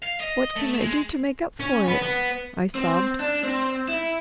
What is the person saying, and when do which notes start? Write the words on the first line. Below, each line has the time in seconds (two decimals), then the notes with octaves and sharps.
"What can I do to make up for it?" I sobbed.
0.03 F5
0.21 D#5
0.56 A3
0.81 G#3
1.60 C#4
1.88 B3
2.02 B3
2.75 C4
3.20 D4
3.43 C4
3.88 E4